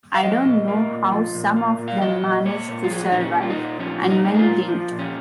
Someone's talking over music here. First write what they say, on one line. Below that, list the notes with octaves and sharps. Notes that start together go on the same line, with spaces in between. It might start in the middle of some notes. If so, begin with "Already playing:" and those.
I don't know how some of them managed to survive; and many didn't.
F5
F3 D#5
A#2
A#3
A#2
F3
A#2
A#3
A#2
F5
F3 D#5
A#2
A#3 C#5
A#2
F4
F3 G#4
A#2 D#4
C#4
A#3
F4
D#4
A#2
F3 C#4
A#2
D#4
A#3
G#4
F4
A#2
F3
A#2
C#4